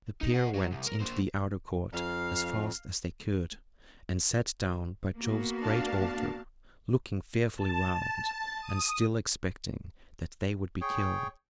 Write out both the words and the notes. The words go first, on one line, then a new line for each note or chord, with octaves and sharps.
The pair went into the outer court as fast as they could, and sat down by Jove's great altar, looking fearfully round, and still expecting that they would be killed.
D#4
D#5 F#5
F#3
C2
A#4
A#3 C5
F2 F5
A#3 B3 F#4
D4 F5 A5
A5
D#6
G#4 C#5 G5